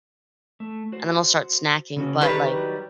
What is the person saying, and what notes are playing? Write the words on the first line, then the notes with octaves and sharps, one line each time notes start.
and then I'll start snacking, but, like,
A3
F#4 C5
C#3 C#4 F#4
D#3 G3 A4 B4
F#3 F#4